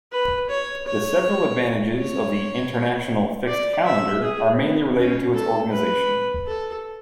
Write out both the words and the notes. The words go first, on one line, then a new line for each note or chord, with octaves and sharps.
The several advantages of The International Fixed Calendar are mainly related to its organization.
B4
C#5
C#5
C#5
D5
E5
G#4
B3
C#4
A4
B4
A4